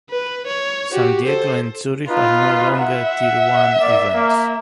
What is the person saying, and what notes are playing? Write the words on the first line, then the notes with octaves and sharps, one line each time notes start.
San Diego and Zurich are no longer Tier I events.
B4
C#5
F#4 G4
A4 C5
B3 D#4 F4 B4
E5 F#5
A#3 D5
A#3